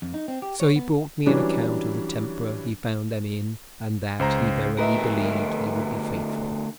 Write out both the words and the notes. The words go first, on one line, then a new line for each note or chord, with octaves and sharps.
So he brought me an account of the temper he found them in and that he verily believed they would be faithful.
F2
D#4
C4
G4
C#5
B3
E3 F#3 G3 C#4 D4
C#2 C5 A#5
D2 A#4 B4 D#5 E5